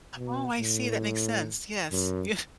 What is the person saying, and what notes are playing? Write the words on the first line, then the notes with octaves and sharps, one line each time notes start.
Oh, I see, that makes sense. Yes. Yeah.
B2
A2
F#2